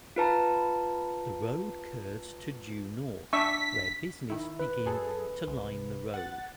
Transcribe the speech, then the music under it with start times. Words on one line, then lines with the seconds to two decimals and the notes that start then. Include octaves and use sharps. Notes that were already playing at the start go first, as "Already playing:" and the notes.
The road curves to due north where business begin to line the road.
0.16 F4 B4 A5 A#5
3.33 D4 E5 C#6 B6
4.30 D#3 E4
4.59 B4
4.86 F#2 G#4 A4
5.47 C2
6.14 F#5 A6